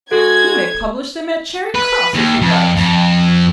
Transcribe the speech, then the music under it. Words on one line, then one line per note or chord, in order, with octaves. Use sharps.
"He may publish them at Charing Cross if he likes."
G#3 F#4 A4 G#6
B4
D#2
F2
F2